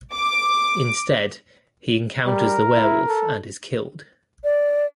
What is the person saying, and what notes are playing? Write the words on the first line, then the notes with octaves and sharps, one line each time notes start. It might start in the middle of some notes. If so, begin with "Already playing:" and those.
Instead, he encounters the werewolf and is killed.
D6
G3 A#4
E4
A4
D5